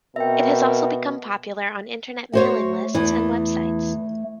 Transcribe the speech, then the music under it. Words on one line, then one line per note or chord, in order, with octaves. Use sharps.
It has also become popular on Internet mailing lists and websites.
B2 C4 A#4 E5 G5
A3 F#4 C5 C#5
E2 E3